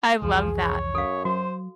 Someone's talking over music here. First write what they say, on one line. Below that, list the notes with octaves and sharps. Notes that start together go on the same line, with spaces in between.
I love that.
C2 F2 E3 F3 G#4
C#5
F#2 A4 F5
F#3 F#4 C5